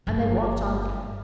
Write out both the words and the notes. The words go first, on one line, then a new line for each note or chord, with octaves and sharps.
And they walked on again.
G1